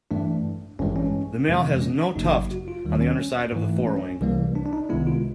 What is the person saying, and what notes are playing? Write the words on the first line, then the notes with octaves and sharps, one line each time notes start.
The male has no tuft on the underside of the forewing.
G2 E3 A3 D4
A1 G2 E3 G#3 C#4
C#4
F2 C3 E3 G#3
C#4
D4
G#1 F#2 C#3 F#3 A#3 D#4
F#4
F4
D#2 D#3 G3
C#4
G#2 E3 A3
C#4
C2 C3 E3 G3 A#3
D4
D4
D#4
C2 C3 D#3 G#3 B3 E4
F4